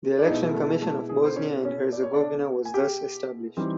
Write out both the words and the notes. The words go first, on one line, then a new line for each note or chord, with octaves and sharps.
The Election Commission of Bosnia and Herzegovina was thus established.
D5
B2 G#3 B3 D#4 E4 D#5
A3 A4
A3 A4
G#4
C5
C#4 C#5
C#4 C#5
D5
C#5
D4 D5
G#5
G4 G5
E3 G3 C4 D#4